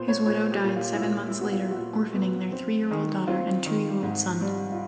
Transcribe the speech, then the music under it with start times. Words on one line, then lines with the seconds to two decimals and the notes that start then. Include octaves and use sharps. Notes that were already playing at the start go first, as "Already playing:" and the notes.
His widow died seven months later, orphaning their three-year-old daughter and two-year-old son.
Already playing: A#2 B3 C5
0.08 C#5
0.26 A#2 C#5
0.52 G4
0.64 A#2
0.76 F4
0.94 E4
1.01 A#2 F4
1.27 E4
1.39 B3 F#4
1.52 F4
1.70 F#4
1.76 A#2 F4
2.14 B3
2.52 C4
2.91 D#3
3.27 C4 F4
3.66 D#3
4.03 G#2
4.41 G3
4.72 F4